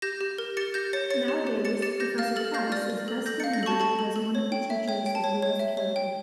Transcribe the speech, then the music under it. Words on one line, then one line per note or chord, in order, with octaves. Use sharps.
Nowadays, Professor Price is best remembered as one of the teachers of Lewis Carroll.
G4 G6 A#6
G4
A#4
G4 A6 C#7
G4 G6 A#6
C#5 A6 C#7
C#5 A6 C#7
G4
G4
G4 A6 C#7
G4 A6 C#7
G4 G6 A#6
F5 F6 A6
A4 F6 A6
F5 G6 A#6
D5 F6 A6
D5
A4
A4 G6 A#6
A6 C#7
F5
G6 A#6
A4 A5 C#6
A4 A5
A4
A4
C#5
G5
E5
C#5 G5
G5
A5
C#5
C#5
E5
C#5
G5